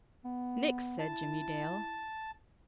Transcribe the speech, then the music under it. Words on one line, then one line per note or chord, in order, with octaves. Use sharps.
"Nix!" said Jimmie Dale.
B3
E4 A5